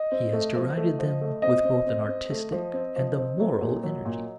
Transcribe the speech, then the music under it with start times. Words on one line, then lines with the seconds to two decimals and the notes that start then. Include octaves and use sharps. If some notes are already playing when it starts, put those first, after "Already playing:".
He has derided them with both an artistic and a moral energy.
Already playing: D#5
0.12 C4
0.33 A3
0.55 F3
0.77 A3
0.99 F3
1.21 A3
1.42 C4 D#5
1.65 C4
1.86 C4
2.08 C4
2.30 A3
2.52 F3
2.74 C4
2.96 F3
3.18 C4
3.40 F#3
3.61 A#2
3.83 F#3
4.05 A#2